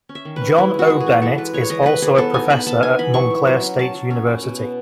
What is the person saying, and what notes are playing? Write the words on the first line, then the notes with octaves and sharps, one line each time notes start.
John O. Bennett is also a professor at Montclair State University.
C#4
E5
D#3
B4
C#4
G#3 E4
G#3 F#4
E3 F#4
G#4
E3
E3 A4
G#3 B4
G#3 C#5
E3 D#5
E3 B4
E3 G#4
B3 A4
D#4 G#5
B3 B5
B3 A5
D#4 G#5
E3 B5
F#3 C#6
E4
F#3
C#4
C#4 A5
F#3
C#4
E4
B2
B3